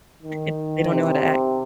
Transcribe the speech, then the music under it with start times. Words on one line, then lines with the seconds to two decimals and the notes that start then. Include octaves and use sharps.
eh, they don't know how to act.
0.23 D#3
0.92 C3